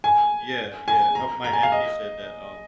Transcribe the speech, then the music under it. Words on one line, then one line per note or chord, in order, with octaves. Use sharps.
Yeah, yeah, uh, my auntie said that, um
G#5
G#5
A#5
A#5
G#5
F5
D#5